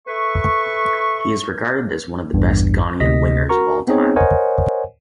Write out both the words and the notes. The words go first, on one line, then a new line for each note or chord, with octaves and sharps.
He is regarded as one of the best Ghanaian wingers of all time.
A4 B4 E5 C#6
A1 E2 G2
D2 C3 D#5 A#6 B6
F#4 A#4 A#5 C#6
B3 C4 D#4 G#4 C#5
A#4 C5 C#5 D#5 F#5 G#5